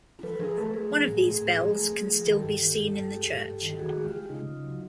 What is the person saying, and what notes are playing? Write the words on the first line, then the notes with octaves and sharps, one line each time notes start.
One of these bells can still be seen in the church.
F3 A4 B4
F3 G#4 A#4
A3 A4 B4
A3 G#4 A#4
F3
A2
A3
A2
F3
A3
A3
F3
D#3 G4 A4
G2
D#3
G2
G2
G#3
G2
G2
D#3
G4
D#3 F#4 G#4
G#3 G#4
F4 G4
G#3
C#3 D#4 F4
C#3
F#3